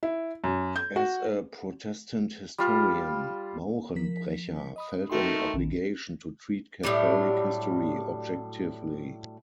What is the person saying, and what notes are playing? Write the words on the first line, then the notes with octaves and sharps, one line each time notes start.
As a Protestant historian, Maurenbrecher felt an obligation to treat Catholic history objectively.
E4
F#2
G6
F#4
G3 F4
F3 A#4 B6
D#5 B5 D#6
D#3 A3 F#4 G5 C6
A#1 D#3
A2 F#3 G3 D4